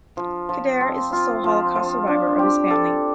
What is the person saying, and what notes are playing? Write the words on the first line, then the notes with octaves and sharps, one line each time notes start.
Kader is the sole Holocaust survivor of his family.
F3
F3
C4
F4
F3
F3
D4
G4
A4